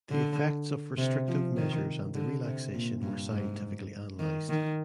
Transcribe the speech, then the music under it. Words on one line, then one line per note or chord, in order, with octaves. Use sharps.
The effects of restrictive measures and their relaxation were scientifically analyzed.
D3
C3
F3
D#3
D3
C3
A#2
G2
G#2
D#3
D#3